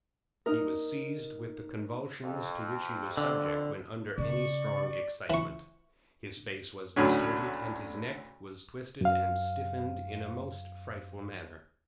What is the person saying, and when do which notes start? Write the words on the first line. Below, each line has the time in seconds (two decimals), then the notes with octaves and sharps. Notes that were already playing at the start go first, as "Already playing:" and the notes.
He was seized with the convulsions to which he was subject when under any strong excitement, his face was distorted, and his neck was twisted and stiffened in a most frightful manner.
0.46 D#4 A#4
2.24 F2
3.17 D3
4.18 C#3 D5 C#6
5.30 E3 C#6
6.96 D2 A2 D3 F#3 C#4
9.01 F#2 F5